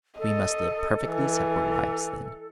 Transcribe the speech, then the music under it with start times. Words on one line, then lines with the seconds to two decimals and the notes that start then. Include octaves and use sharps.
We must live perfectly separate lives, then.
0.19 A4 D#5
1.06 E3